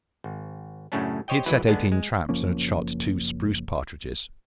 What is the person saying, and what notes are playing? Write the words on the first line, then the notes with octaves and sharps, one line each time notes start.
He had set eighteen traps and had shot two spruce partridges.
G#1
F#2 A2 C#3 A3 C#4 D4
G4 C5 C#5 D#5 G5
E3 F#3 G#3 E4 B4
D3 G#3 B3 D4
G#3
F#1 F3 A#3 C#4